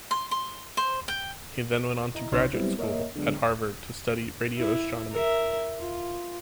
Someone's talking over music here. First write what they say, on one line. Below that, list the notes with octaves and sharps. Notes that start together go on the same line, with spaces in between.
He then went on to graduate school at Harvard to study radio astronomy.
C6
C6
C5
G5
E4 D#5 A#5
A#1 C#3 D#4 C#5 C6 F6
F#3 G3 B3 C4 E4
A#3 A#4 C#5 D#5 E5
D3 F#3 G#3 B3 D4
E4
A#4 E5
F4